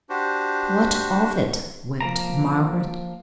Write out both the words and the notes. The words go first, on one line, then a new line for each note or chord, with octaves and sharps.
"What of it!" wept Margaret.
D4 F#4 G4 C5
F3 A#3 A#5